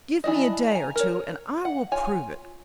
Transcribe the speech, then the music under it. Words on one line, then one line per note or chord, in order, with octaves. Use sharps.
Give me a day or two and I will prove it.
E3 D4 D#5
G#5 A#5
A#4 C#5
F#5
F4 C#5 G#5